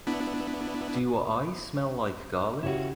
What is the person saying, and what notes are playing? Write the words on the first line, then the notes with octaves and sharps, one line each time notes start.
Do I still smell like garlic?
B3 D4 E4
C#3 E4 F#4 G4 C#5